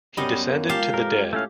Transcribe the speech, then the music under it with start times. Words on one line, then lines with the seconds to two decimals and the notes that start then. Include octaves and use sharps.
He descended to the dead.
0.17 F#2 G3 B3 C#5 D#5
0.49 A#3
0.69 G#3 F4 G4 F5 A5
0.94 F2 A#4
1.33 A2 A3 C#4 F5